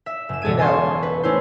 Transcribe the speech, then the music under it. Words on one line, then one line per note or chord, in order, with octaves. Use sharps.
you know?
E5
F#1 E7
E1 A4 G#6 D#7
G#5 A5 C6 C#6
B4
A3 C#4 E4 C5